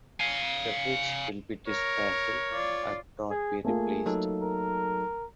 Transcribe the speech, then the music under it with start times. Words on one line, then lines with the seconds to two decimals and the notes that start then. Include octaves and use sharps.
The bridge will be dismantled, and not be replaced.
0.20 F5 G#5
1.67 A#4 C#5
2.53 F4 D5
3.31 G#4
3.65 A3 A#3 F4 G#4
4.06 F#3 D#4 A4
4.42 A#4